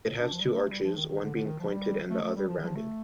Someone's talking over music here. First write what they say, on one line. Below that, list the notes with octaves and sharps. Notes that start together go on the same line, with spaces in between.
It has two arches, one being pointed and the other rounded.
D4
F3
G3
A3
A#3
A3
G3
F3
D#3
D#3
D3
D3
D#3
F3
G3
A3
A3
G3
F3
D#3
G3
F3
A3